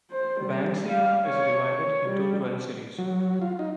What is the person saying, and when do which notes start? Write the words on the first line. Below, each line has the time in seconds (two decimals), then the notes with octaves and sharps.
"Banksia" is divided into twelve series.
0.11 C5
0.40 G3
0.88 F5
1.27 C#5
1.70 C#5
2.09 G3
2.99 F#3
3.42 F4
3.59 D#4